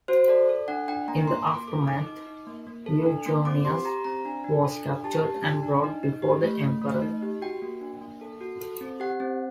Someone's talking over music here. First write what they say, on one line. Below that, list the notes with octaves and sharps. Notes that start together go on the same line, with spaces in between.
In the aftermath, Eugenius was captured and brought before the emperor.
F#4 C5
A4 D5
A4
D4 F#5
D4 G5
A#3 A#5
A#3 C6
A#3 D6
A4 D6
D#4 D6
D#4
D#4
A#3
A#3
A4
D4
A#3
C4 D6
G4 C6
G4 A#5
C4 A#5
D4
D4
A4
D4
G4 A5
G4
D4
D4
D#4
D#4
G4
A3
A3
A3
D#4
G4
F#4 G5
A#3
D4
A#3
A4
F#4
A4
C4
G4 F#5
C4